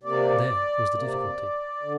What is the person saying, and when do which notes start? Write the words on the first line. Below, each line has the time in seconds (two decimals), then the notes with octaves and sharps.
There was the difficulty.
0.03 C3 A#3 D5
0.94 C3 A#3
1.83 D3